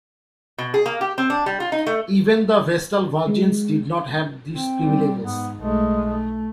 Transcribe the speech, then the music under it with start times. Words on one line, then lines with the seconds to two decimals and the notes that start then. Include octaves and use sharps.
Even the vestal virgins did not have this privilege.
0.58 B2
0.74 G#4
0.86 A#3
1.01 G4
1.18 C4
1.30 D4
1.46 G3
1.60 F4
1.72 D#4
1.87 A3
3.27 G#3
4.51 C4
4.82 G3
5.21 G#2 B3
5.59 B1 G#3 A3
6.07 A3